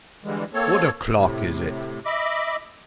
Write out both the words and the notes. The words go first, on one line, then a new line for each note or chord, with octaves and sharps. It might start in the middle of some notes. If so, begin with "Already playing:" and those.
"What o'clock is it?"
D3 E3 G3 G#3
A#3 C4 A4 C#5
A2 C3
D#5 E5 B5 D6